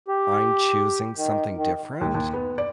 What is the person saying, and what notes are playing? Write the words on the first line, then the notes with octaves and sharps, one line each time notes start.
I'm choosing something different,
G4
D#3
D#3
D#2
D#2
B3
D5